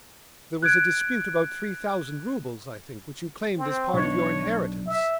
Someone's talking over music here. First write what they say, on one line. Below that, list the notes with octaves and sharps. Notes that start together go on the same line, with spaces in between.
"There was a dispute about three thousand roubles, I think, which you claimed as part of your inheritance?"
F#6 G#6 D7
C4
B1 D4 C#5
E5